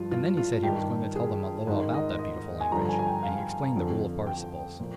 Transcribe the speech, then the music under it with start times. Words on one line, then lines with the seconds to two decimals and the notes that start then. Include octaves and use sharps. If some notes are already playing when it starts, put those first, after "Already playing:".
And then he said he was going to tell them a little about that beautiful language, and he explained the rule of participles.
Already playing: G2 F3 F4
0.11 F4
0.37 F4
0.63 G2 D#3 G4
1.16 G#4
1.67 G#2 D#3
1.94 D#5
2.19 D#5
2.61 G#5
2.71 G2 D3 F3 A#5
2.89 G#5
2.99 G#5
3.07 G5
3.23 F5
3.75 F2 D3 F3
4.27 G5
4.80 A#2 F3